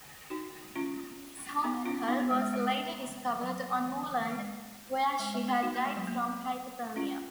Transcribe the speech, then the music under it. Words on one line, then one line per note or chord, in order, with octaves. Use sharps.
Miss Hockenhull was later discovered on moorland, where she had died from hypothermia.
D#4 F#4
C#4 F4
B3 D#4
C#4 F4
B3 D#4
B3
G#3
G#3
G#3
F#3
G#3
G#3
G#3
B3
D#4 F#4
A#3
G#3
F#3
A#3
C#4 F4